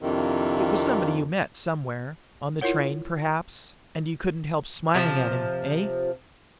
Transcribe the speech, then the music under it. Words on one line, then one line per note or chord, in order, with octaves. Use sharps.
It was somebody you met somewhere--on the train, perhaps, and you couldn't help smiling at him, eh?
F2 C3 D#3 A#3 D4 E4
E4 F4 A#4 C#5 F#5
C3 F3